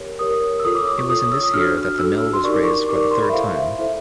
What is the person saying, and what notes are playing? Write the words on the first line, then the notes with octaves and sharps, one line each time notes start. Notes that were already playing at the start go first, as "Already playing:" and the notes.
It was in this year that the mill was raised for the third time.
Already playing: G4 A#4 C#5
G4 A#4 C#5 D#6
E6
F4 A4 C#5 D#6
D6
C#6
F4 A4 C#5 D#6
E6
D#6
D4 F#4 A4 F6
F6
D4 F#4 A4 E6
C6
D#4 G4 A#4 D5 C#6
D6
C#6
D#4 G4 A#4 D5 D6
C#6
C6
B5
E5
E4 A4 C5 F5
E5
E4 A4 C5 E5